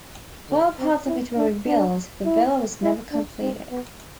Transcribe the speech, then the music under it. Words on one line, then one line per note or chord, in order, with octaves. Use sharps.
While parts of it were rebuilt, the villa was never completed.
D3
C4
E4
D4
D4
E4
E4
D4
C4
B3